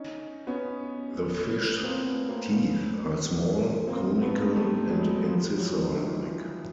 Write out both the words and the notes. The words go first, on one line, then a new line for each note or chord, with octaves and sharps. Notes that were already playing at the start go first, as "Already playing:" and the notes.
The fish's teeth are small, conical, and incisor-like.
Already playing: C#4 D#4
B3 C#4
A#3 C4
A3 B3
A#3 C4
B3 C#4
A#3 C4
A3 B3
G3 A3
F#3 G#3
F3 G3
E3 F#3
D#3 F3
E3